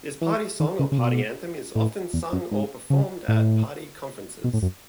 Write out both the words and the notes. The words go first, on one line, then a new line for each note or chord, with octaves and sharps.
This party song or party anthem is often sung or performed at party conferences.
E3
D#3
C#3
C#3
B2
A2
E2
F#2
G#2
C#3
A2
B2
A2
F#2